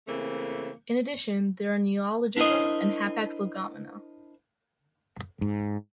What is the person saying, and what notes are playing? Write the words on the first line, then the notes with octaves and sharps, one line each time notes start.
In addition there are neologisms and hapax legomena.
C#3 E3 A3 A#3 C4
D4 E4 A#4 C5 D#5
G#2